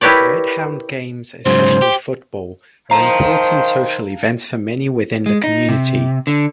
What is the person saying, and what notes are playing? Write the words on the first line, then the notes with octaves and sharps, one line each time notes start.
"Redhounds" games, especially football, are important social events for many within the community.
E4 G4 A#4 B4 C#5 D5
G#2 C#3 F#3 C5
G4
D#3 C5 F5 A5 A#5
G#3
D#4
C3
D3